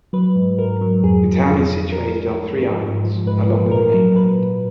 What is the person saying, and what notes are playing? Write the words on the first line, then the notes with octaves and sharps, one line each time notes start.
The town is situated on three islands, along with the main land.
F#3 B4
G#2
G#2 A#4
F#3
F2 G#4
F3
F2
F2
F3 A#4
G#2
G#2
F3
G#2
F3
G#2 B4
F3
A#2 A#4
F#3
A#2 B4
A#2